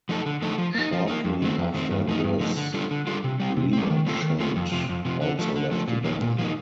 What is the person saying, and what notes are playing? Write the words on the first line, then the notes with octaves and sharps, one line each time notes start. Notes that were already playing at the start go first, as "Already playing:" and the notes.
Shortly after this, Lemarchand also left the band.
F3 A3 D#4 A4
D3
F3 A3 D#4 A4
F3
A#3 D#4
F3
A#3 D#4
F2
D#3 A3 C4
F2
D#3 A3 C4
G2
F3 A3 D#4
G2
F3 A3 D#4
D3
G3 D4 F4 A4
D3
G3 D4 F4 A4
C3
G3 C4
C3
G3 C4
D#3
A3 C4 F4 A4
D#3
A3 C4 F4 A4
F2
C3 F3
F2
C3 F3
D3
F3 A3
D3
F3 A3
A#2
F3 A#3 D#4
A#2
F3 A#3 D#4